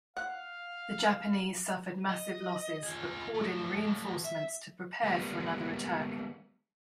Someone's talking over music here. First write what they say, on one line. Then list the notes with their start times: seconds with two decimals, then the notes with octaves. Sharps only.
The Japanese suffered massive losses, but poured in reinforcements to prepare for another attack.
0.17 F5 F#5
2.09 D#5
2.83 F4 G#4
3.35 F3 A3
4.24 E5
5.03 G3 G#3 A#3 B3